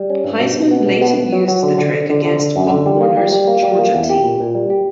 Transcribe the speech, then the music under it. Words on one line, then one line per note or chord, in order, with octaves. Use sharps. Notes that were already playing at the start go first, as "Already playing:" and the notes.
Heisman later used the trick against Pop Warner's Georgia team.
Already playing: G3
C#4
G2
B2
B2
B3
B2
B3
B3
F#3
F#3
D3
D3
D3
D3
D3
D3
F#2
D3
G3
A#3
G3
G3
A#3
G3
A#3
E2
G4
A#2
A#2
G3
G4